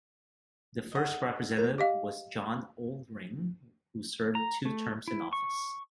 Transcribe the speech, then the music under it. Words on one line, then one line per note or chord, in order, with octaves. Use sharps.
The first representative was John Oldring who served two terms in office.
D#5 F#5
A#4
G4 D#5 F5
A#5
A3
E4
C#6